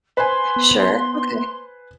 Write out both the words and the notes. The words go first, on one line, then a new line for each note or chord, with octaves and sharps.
Sure, okay.
B4 C5 G#5 C6
B3